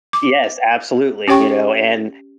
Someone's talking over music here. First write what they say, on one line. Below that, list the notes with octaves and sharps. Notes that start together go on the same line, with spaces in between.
yes, absolutely, you know, and
D6
C#4 G4 C#5 G5 C#6